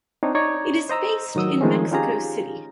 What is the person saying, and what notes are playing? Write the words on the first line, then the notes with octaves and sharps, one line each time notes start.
It is based in Mexico City.
C4 D4 D#4 C#5
D#4 C#5 D5
C5 D#5 A#5 E6
A2 D#3 F#3 D#6 E6
D#3 F3 G#3 A3 C4 C#4
C#4 D#4 F4 G4 G#4 A#5